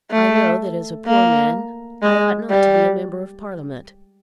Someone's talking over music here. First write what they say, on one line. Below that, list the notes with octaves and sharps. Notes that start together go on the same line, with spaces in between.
I know that as a poor man I ought not to be a member of Parliament.
A3
A#3
G#3
G3